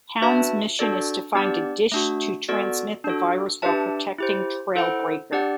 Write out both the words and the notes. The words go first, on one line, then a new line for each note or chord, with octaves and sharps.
Hound's mission is to find a dish to transmit the virus while protecting Trailbreaker.
D4 F#4 B4 E5 A5
D4 F#4 A4 D5
B3 D4 G4 D5
A3 D4 F#4
B3 F#4 A4 D5
D4 F#4 A4
D4 G4 B4 E5 A5
E4 G4 C5
E4 A4 C5 F#5
D4 G4 D5 F#5